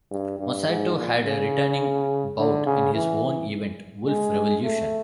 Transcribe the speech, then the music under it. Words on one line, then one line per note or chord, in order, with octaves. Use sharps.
Masato had a returning bout in his own event "Wolf Revolution".
G2
G2
G#2
A#2
C#3
D3
C#3
E3
G#3
A3